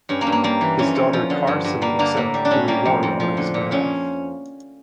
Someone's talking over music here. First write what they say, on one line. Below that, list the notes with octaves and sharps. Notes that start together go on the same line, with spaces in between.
His daughter Carson accepted the award on his behalf.
G2 C#4
A#3
G2
A#3
G3 A#3
E3
F2 C#4
F2
F3
D3
G2
G2
G3 A#3
D3 A#3
A2 A#3
G3
D4
A2 C#4
G3 A#3
F2
F2
F3
D3
A#2
F3 C#4